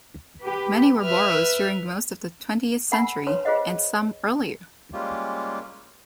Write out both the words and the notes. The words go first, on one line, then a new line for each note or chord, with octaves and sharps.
Many were boroughs during most of the twentieth century, and some earlier.
G4 B4
B4 E5 F6
A#4 F#5 G#5 A5 B5
D4 B4 C#5 A5 C6
F4 G#4 B4 C5 D#5 F#5
G3 G#3 A#3 C#4 F4 G4